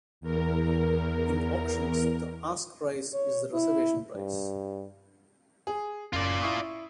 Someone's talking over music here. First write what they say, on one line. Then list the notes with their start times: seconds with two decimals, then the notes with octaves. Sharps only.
In auctions the ask price is the reservation price.
0.21 E2 A#4
3.14 C#5
3.54 E4
4.16 G2
5.67 G#4
6.13 F#1 F4 D5
6.40 E4 C#6 D#6